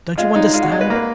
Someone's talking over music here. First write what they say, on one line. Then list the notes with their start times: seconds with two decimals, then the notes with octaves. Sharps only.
Don't you understand?
0.18 G#3 F4
0.35 G#3 D#4
0.53 G#3 F4
0.62 F#4
0.72 G#3
0.81 B4
0.90 A#3
0.95 B4